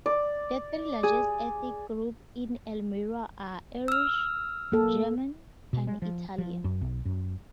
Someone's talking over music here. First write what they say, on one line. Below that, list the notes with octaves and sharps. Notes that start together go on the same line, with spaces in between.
The three largest ethnic groups in Elmira are Irish, German and Italian.
D5
G#4
E6 F6
A#3 A4
B2
G#3
F3
F3
F#2
B1
F#2